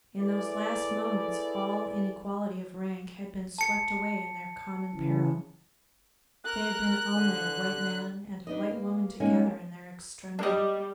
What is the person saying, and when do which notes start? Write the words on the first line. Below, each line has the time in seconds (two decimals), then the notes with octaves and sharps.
In those last moments all inequality of rank had been swept away in their common peril--they had been only a white man and a white woman together in their extremity.
0.18 A3 E4 G#4 B4 D5
3.58 A5 C#7
4.95 C#3 E3
6.45 A#4 F#6
7.16 D3
8.47 D4 D#4 B4 D#5
8.71 A#3
9.20 G#3 A#3 C#4 D#4
10.39 G3 D4 D#5